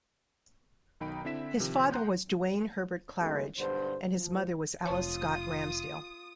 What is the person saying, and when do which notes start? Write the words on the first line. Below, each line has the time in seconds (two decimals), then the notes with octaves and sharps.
His father was Duane Herbert Clarridge, and his mother was Alice Scott Ramsdale.
1.00 B1 D#3 D#4 G5 B5 D7
1.25 D3 C4 E4 E5 B6 E7
1.60 C3 D#3 F3
1.92 F#5 G5 A#5 C6 F#6 G6
3.20 F#2 D#3 G#3 A3 B3
3.58 B1 G2 D3 C5
4.17 F3
4.86 F1 F3 F4 C#5 A5 C#6 D#6